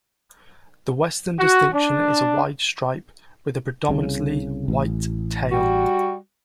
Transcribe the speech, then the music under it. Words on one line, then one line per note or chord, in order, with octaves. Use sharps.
The western distinction is a wide stripe, with a predominantly white tail.
F#4
D4
C2 C#3
A1
G3 F#4